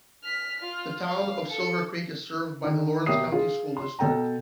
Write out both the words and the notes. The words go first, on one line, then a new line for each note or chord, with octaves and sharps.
The Town of Silver Creek is served by the Lawrence County School District.
F6 B6
F4 F6
F5
A4 C#7
D#3
B2 G4 A#4 E5 D#6 C7
F4 G#4
C6
B2 A4 G5 A#5